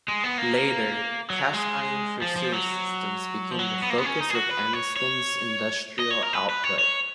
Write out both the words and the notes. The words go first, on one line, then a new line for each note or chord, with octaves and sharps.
Later, cast iron for sewer systems became the focus of Anniston's industrial output.
G#3
B3
A#3
F#3
G#3
F3
F3
F#3
F3
F#3
B3
A#3
B3
C#4
D#4
G#4
F#4
B4
C#5
C#5
D#5
C#5
A#4
B4
B4
C#5
C#5